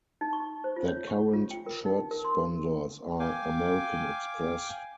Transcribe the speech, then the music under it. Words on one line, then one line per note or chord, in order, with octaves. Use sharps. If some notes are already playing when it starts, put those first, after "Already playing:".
Their current shirt sponsors are American Express.
D#4
C#6
C5
F4
C#5
C#6
F4
G5
A#4
D#4
A#4
C6
F5 G5 G#5 D6